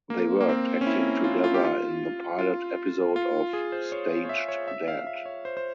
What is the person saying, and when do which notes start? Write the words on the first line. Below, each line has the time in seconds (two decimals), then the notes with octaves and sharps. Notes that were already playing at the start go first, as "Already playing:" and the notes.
They worked acting together in the pilot episode of "Staged Dad".
0.10 A#3
0.40 A#3
0.49 C4
0.81 C#4
0.87 E4
1.24 F4
1.44 F4
1.54 G4
1.65 F4
2.39 F4
3.16 F4
3.53 G#4
3.72 C5
3.92 C#5
4.25 C#5
4.29 E5
4.48 C#5
4.68 E5
4.88 F5
5.07 E5
5.26 C#5
5.45 C5
5.57 C5